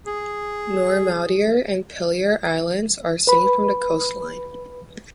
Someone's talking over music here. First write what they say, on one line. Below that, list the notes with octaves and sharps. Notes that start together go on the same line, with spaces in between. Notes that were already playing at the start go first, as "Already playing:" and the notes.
Noirmoutier and Pilier Islands are seen from the coastline.
G#4
B4 B5